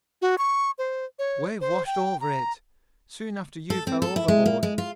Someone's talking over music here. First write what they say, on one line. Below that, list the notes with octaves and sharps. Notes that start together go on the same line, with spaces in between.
Wave washed over it--soon after you fell overboard.
F#4
C#6
C5
C#5
C5
G5
A#5
A4
C4
A4
E4
G#3
A#3
G#3
F4